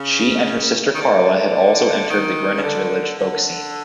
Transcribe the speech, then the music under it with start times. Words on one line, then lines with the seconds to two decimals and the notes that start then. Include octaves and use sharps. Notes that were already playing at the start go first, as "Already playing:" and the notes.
She and her sister Carla had also entered the Greenwich Village folk scene.
Already playing: C#3
0.95 D#3
1.01 D3
2.10 D#3
2.55 C#3
2.63 D3
3.17 D3